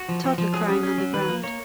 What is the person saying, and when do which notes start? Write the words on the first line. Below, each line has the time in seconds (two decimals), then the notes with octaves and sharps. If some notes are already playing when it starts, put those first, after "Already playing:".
Toddler crying on the ground.
Already playing: F#4
0.09 F3
0.24 F3
0.38 F3
0.54 F#3 G#4
0.68 C#4
0.83 C#4
0.98 F#3
1.14 D#3 B4
1.28 A#3
1.44 A#3 C#5